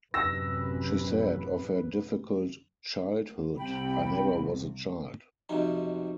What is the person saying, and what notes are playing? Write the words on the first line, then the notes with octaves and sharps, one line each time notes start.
She said of her difficult childhood, I never was a child.
A1 F#2 C3 B4 E6 A#6
C2 C3 G5 B5
B1 F2 C3 D#4